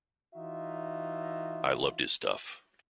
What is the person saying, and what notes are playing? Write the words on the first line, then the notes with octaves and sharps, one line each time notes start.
I loved his stuff.
E3 D#4 F4 F#4 E5